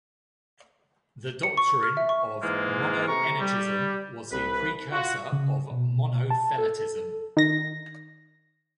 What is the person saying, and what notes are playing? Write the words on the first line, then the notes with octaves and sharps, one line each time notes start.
This doctrine of "Monoenergism" was the precursor of Monotheletism.
C#7
C#6
F6
E5
C#6
G#2 E3 G#3 A#3 F4
C3 A3 A#5 C#6
G3
C2 B4
F4 F#4
C#3
B2
A5
A4
D#3 A#6